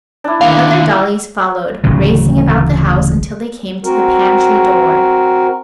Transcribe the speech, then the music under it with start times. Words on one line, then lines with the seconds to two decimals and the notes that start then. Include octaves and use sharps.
The other dollies followed, racing about the house until they came to the pantry door.
0.24 D4 E4
0.41 D#2 D3 F5
1.84 D1 A1 C#3 F#3
3.84 C4 F#4 A#4